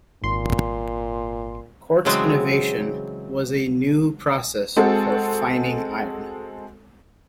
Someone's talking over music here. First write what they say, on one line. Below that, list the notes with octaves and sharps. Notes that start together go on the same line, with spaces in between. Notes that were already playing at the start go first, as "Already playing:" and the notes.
Cort's innovation was a new process for "fining" iron.
G#1 A#2 C6
C#3 E3 F#3 G#3 B3 C4
G#3 C4 F#4 A4